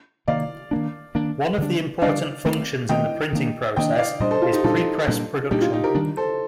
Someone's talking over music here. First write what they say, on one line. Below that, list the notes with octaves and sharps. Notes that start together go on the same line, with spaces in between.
One of the important functions in the printing process is prepress production.
C3 D#3 A#3 D5 F5
D#3 A#3 D4
D#3 A#3 D4
D3 G3 D4
D3 G3 D4 D5 F5
D#3 A3 C4
D#3 A3 C4 D#5 G5
D#3 A#3 D4
D#3 A#3 D4 D#5 G5
D5 F5
A#2 G3 D4 C5 D#5
A4 C5
F4 A4
D#4 G4
A#2 G3 D4 F4 A4
A#2 G3 A#3 D4
A#2 G3 A#3 D4 D#4 G4
F4
D#4 G4
G4 A#4
D#3 G3 D4
A4 C5